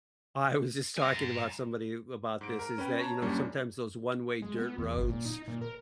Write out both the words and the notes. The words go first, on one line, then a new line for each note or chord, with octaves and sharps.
I was just talking about somebody about this is that, you know, sometimes those one-way dirt roads,
G#5 A#5
G#2 D7
A#4
C#4 B4 G5
C#5 A5 A#5
F#2 A2 G3 A#3 C#4 D4
G#3
B3
E2
G1
A#2
D#4
A#2
A#4